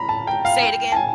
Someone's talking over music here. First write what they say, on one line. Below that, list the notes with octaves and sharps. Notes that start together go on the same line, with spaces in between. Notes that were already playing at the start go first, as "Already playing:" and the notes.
Say it again?
Already playing: A#5 B5
A5
G5
F5
G5
A5
G#5